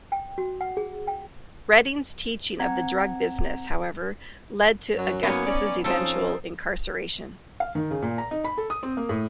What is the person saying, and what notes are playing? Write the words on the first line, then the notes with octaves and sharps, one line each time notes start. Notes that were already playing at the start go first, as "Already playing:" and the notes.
Redding's teaching of the drug business however led to Augustus' eventual incarceration.
G5
F#4
F#5
G#4
G5
C4 F#5 A#5 G#6
F#2 F#3
F#2 A#3 B3 D#4 C#5
C#4 D5
F3 C4 C#4 D#4 A4
F5
D#3
C#3
A#2
A#5
D#4
B5
A4
D#6
C4
A#3
A2